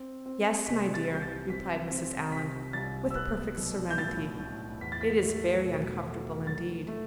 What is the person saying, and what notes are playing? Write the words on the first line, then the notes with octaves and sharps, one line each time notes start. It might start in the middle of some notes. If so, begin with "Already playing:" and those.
"Yes, my dear," replied Mrs. Allen, with perfect serenity, "it is very uncomfortable indeed."
Already playing: C4
C4
C3 B6
A6
C2
G6
A6
C4 B6
C4
C3 B6
C2 A6
E6
B3 F#6
B1
G6
A2 A6
A2
E2 B6
A6
B6
A3
B2
A3
F#3 A6
A3